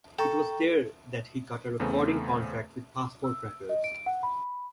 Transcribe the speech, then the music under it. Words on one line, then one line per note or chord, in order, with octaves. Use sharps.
It was there that he got a recording contract with Passport Records.
A4 G5 A#5 C#6
E2 C#3 A3 B3 C4
E6
D#5
D7
F#5
B5